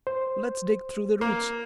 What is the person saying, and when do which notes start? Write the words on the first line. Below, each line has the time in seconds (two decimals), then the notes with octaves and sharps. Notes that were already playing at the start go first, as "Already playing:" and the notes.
Let's dig through the roots.
0.07 C5
1.21 A#3